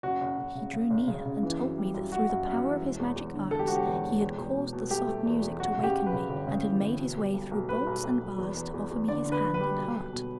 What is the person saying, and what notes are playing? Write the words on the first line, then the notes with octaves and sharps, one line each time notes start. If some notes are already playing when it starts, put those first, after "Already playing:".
He drew near and told me that through the power of his magic arts he had caused the soft music to waken me, and had made his way through bolts and bars to offer me his hand and heart.
F#1 F#4
F#1
F#1
C#3
C#3
F#1
C#3
C#3
E3
F#2
G3
F#2
F#2 F#4
F#2
F#2
E3
E1
E2
E2
D3
E1 A4
G4
E1 F#4
G4
E2
E1
E2
E2
B2
B2
A3 G4
A3
E2
E2
F#2 F#4
C#3
G4
F#2
B4
C#3
G1
C#3
E3
G1
B2
G3
B1
B1
G3 B4
B1
B1
B1
E2
E2
E2
E2
D3 D5
D3
B4
D3
B4
G3
B1
B1
B2